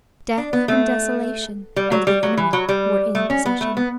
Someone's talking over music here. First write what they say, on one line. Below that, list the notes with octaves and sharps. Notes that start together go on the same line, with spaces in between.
Death and desolation and the enemy were in possession.
D4
B3
A3
G3
F#3
G3
F#3
E3
F#3
G3
A3
C#4
B3
A3
B3